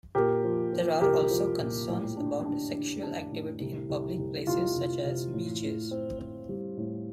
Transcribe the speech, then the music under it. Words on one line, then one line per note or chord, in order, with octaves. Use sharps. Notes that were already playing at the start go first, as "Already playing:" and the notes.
There are also concerns about sexual activity in public places such as beaches.
A#2 G4 A#4
F3
F3
C2 G4 A#4
F3
A#2
A2
D4
D4
D4
D4
A2
C2
C2
C2
C2 F4
C2
C3
A2
A2
C4
C4
G3
A2